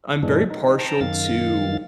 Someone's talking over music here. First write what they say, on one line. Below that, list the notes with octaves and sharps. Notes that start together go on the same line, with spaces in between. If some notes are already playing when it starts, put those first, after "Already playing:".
I'm very partial to
F#2 A#2 E3 G#3 D4
D#4
G5 A5 A#5
F#2 D#3 F5 A6